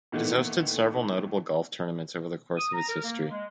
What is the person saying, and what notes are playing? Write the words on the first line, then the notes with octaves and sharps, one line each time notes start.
It has hosted several notable golf tournaments over the course of its history.
A#2 D#3 E3 A3 B3
D#6
A#5
A#4
A#3
G#3